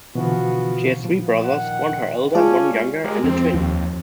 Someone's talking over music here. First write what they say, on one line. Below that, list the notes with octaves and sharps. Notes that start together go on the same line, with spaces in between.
She has three brothers, one her elder, one younger and a twin.
B2 D3 E3 F3 B3 F#4
A#2 F3 B3
D#3 F#5
G#3 C#4 F4 G#4 D5 A5
G#3 G4 A#4
F2 F3 C4
D#2